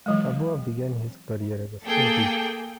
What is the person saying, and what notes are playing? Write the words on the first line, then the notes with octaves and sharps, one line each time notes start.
Kabua began his career as a school teacher.
E3 F#3 G#3
A#3 G#4 A4 G5